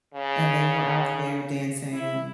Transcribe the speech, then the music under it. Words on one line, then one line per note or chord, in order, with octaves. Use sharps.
and they were out there dancing
C#3
E4